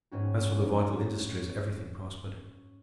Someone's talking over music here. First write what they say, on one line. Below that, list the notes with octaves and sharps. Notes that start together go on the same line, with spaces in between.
As for the vital industries, everything prospered.
G#2 C#4 F#4